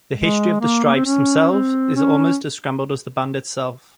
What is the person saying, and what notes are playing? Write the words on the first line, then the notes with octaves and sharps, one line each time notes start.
The history of the stripes themselves is almost as scrambled as the band itself.
G#3
A#3
A#3
C4
C#4
C4
C#4